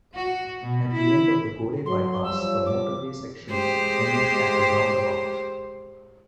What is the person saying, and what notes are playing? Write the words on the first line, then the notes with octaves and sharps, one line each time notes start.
At the end of the Gorey bypass the motorway section ends at a roundabout.
F#4
B2
E4
F#3 C6
F3 G3 C#5 E6
D6
G#3 G4 C5